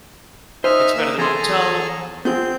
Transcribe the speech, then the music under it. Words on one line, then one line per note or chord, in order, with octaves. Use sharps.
it's better than a hotel."
D#4 C5 E5 G#5 F6
A#3 E6
E2 G#4 A4 A#5 C6
B3 C4 F4 G#4 G6